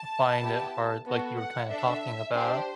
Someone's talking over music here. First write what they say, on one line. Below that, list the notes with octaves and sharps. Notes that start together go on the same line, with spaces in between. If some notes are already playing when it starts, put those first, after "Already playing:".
find it hard, like you were kinda talking about.
Already playing: A5
B3 E4 G4
B3 F#4 A4
F#5
D4 A4 E5
D4 G4 C5